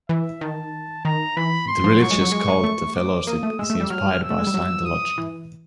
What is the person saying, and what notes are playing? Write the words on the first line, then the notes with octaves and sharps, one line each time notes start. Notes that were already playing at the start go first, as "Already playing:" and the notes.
The religious cult the Fellowship is inspired by Scientology.
E3 E5
D#3 A5
D#3 A#5
E3 B5
C6
F3
F#3 C#6
G#3
F#3
G#3
G#3
A3
D6
A#3 D#6
A3
G#3 E6
A3
G3
F#3 F6
E6
A3
G#3
G3
F#3
D#6
E3